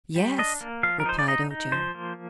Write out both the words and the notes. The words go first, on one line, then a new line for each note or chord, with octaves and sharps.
"Yes," replied Ojo.
G3
D4 D#5
A#3
F3 F5
A#4
D#4 C5
D5
D#4 D#5
D#4
F3 C5
A#3